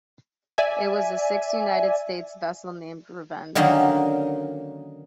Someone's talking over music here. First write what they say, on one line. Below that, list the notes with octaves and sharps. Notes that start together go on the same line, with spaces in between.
It was the sixth United States vessel named "Revenge".
D5 E5 G#5
D3 D#3 F#3 A#3 C#4 D#4